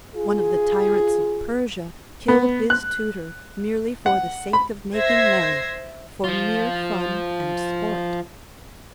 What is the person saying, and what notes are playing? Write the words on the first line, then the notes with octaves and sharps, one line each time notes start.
One of the tyrants of Persia killed his tutor merely for the sake of making merry, for mere fun and sport.
F4 G#4
B3
F#6
F#5
B5
C5 E5 G#6 A#6 C7
F3 F4